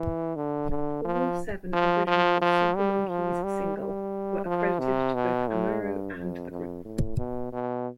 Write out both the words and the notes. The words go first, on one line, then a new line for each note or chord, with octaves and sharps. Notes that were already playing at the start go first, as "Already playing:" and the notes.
All seven original Super Monkey's single were accredited to both Amuro and the group.
Already playing: E3
D3
D3
F3
F3
F3
F3
G3
F3
G3
G3
F3
C3
B2
A2
G2
F2
F2
A2
B2
B2